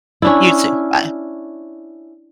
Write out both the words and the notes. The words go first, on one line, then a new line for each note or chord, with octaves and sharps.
You too. Bye.
C#4 D4 E4